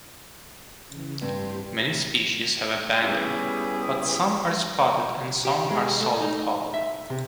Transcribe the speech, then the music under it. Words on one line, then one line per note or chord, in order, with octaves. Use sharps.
Many species have banding, but some are spotted and some are solid-colored.
C#3 E3
G2 C4 G4 C6
G3 B3 C#4 E4 G4 G#4
G4
G#3
A3
D#4
E5
C3